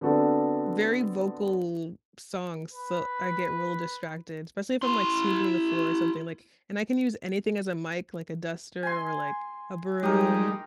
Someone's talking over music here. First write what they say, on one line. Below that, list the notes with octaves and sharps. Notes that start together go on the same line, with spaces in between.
very vocal songs, so I get real distracted, especially if I'm, like, sweeping the floor or something, like and I can use anything as a mic, like, a duster or, like, a broom.
D3 B3 C4 D4 F#4 A4
B4
E4 C6
G#5 C6
G3 G#3 D#4 G4 A#4